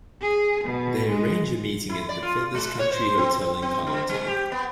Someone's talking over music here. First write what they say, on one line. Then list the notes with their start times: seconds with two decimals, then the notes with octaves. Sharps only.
They arrange a meeting at The Feathers Country Hotel in Connelton.
0.21 G#4
0.64 B2
1.08 G#3
1.89 E4
2.09 D5
2.22 F4
2.55 G#3
2.79 C#5
2.92 C5
3.17 C4
3.62 C4
3.87 D3
4.09 G3
4.27 G4
4.52 B3